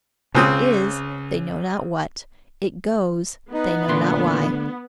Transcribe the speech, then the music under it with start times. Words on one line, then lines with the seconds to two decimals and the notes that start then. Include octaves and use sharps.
It is, they know not what. It goes, they know not why.
0.35 C#2 C#3 C4 D#6
3.54 B3 D#4
3.88 D2 A#2 D3 C6